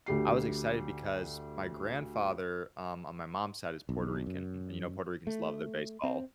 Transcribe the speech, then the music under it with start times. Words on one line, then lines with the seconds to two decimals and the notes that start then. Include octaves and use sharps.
I was excited because my grandfather, um, on my mom's side is Puerto Rican, and, you know, Puerto Ricans love their baseball,
0.06 D2 G4 C7
3.89 B1
4.26 F#2
5.27 A3
6.03 C4